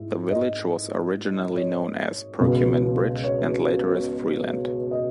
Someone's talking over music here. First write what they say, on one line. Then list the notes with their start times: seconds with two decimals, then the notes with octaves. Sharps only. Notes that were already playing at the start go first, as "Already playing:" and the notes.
The village was originally known as Perkiomen Bridge and later as Freeland.
Already playing: G#2 E4
0.31 D#5
1.56 C#5
2.40 C#2 B2 F#3
3.24 C#5
4.91 D#5